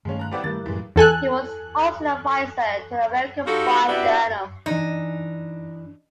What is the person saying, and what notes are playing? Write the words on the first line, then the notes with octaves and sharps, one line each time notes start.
He was also an advisor to the "American Bar Journal".
G2 D#3 G#3 A3 C#4 F5 A5
A#5 F#6
G3 B3 C4 E4 D6 G6
G2 D#3 G3 A3 A#4 A6
F#2 A2 E3 F#3 G#3
E2 A4 G#5 F#6
G3 D#4 F4 F#4 A4
C3 B3 D4 E4 F#4 G4
E3 D4 D#4